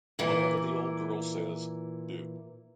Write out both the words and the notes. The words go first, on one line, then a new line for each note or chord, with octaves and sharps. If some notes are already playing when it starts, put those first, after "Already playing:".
Whatever the old girl says, do.
A#2 E3